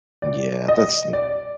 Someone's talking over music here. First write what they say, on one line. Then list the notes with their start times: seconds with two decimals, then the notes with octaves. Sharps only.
Yeah, that's n
0.22 D5
0.68 D#5
1.13 D5